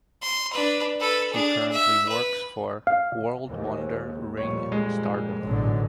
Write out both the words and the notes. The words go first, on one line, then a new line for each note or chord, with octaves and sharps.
She currently works for World Wonder Ring Stardom.
C6
D4 B4
A4 B4
D4 G#4
E5
B4
F5
D#2 G#2
F2 A#2 G3 C#5
G#3
A1 G#2 B2 D3 F#3